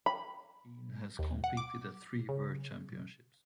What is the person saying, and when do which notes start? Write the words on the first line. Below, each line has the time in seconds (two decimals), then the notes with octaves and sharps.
Keane has competed at three World Championships.
0.06 B5
1.19 D#2
1.44 F#5
1.57 D6
2.29 C#3